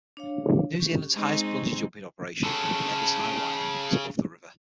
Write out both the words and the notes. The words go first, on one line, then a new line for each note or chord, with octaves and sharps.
New Zealand's highest bungy jumping operation, the Nevis Highwire is above the river.
D4 C#5 F5
C#4 G4
G#3 C4 D#4 C#6
C#3 A4 A5